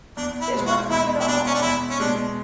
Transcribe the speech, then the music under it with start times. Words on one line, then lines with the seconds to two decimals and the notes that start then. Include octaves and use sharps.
This wasn’t right at all.
0.17 E2 D4
0.41 E4
0.53 B2 G#3
0.66 F#4
0.90 E2 E4
1.20 E4
1.26 B2 G#3 D4
1.46 C#4
1.54 D4
1.62 E2 E4
1.90 C#4
1.99 B2 G#3 D4